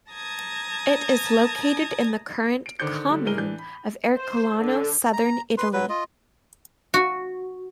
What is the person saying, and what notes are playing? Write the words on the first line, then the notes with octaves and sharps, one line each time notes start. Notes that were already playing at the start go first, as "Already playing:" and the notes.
It is located in the current "commune" of Ercolano, southern Italy.
A5 A#5 D#6 G#6
D7
D3 D#3 C5 D6 G6 C#7
D3 F#3 G3 A3
A2 G#3 G#4 A#4 D#7 G7
E3 D4 G6
B5
C5
D3
A#5
B4 C6
F#3 B4
F4 D#5
F#4